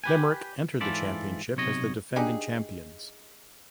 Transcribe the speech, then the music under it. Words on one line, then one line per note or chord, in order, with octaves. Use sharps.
Limerick entered the championship as the defending champions.
G4 B4 G#5
G#2 E3 F4 A4 D5 E5
B1 C3 C#5 D#5
D4 D#4 G4 G#4